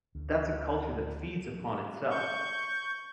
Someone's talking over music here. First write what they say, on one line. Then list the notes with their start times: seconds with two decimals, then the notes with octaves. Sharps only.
that's a culture that feeds upon itself.
0.15 D2
2.09 C#6 G6